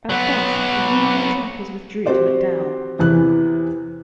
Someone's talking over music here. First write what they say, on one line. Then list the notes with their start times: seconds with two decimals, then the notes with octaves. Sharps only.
At dusk the Union attackers withdrew to McDowell.
0.10 F#3 B3
2.06 C4 F#4 G4 C5 D5
2.99 E2 C3 E3 E4 F#6